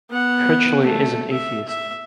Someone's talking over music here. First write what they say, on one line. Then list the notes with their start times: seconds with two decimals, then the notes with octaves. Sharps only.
Critchley is an atheist.
0.10 B3 F#5
0.81 A3
1.31 E5
1.68 E5